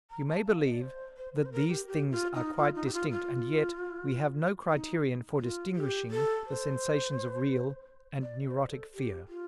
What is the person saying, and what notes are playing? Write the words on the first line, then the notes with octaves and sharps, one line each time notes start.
You may believe that these things are quite distinct and yet we have no criterion for distinguishing the sensations of real and neurotic fear.
A#5
A5
F5
D#5
D5
C5
C5
A#4
C5
A#4
G4
G4
F4
D#4
F4
D#4
G4
F4
F4
D#4
F4
G4
A4
C5
D5
C5
A4
G4
F4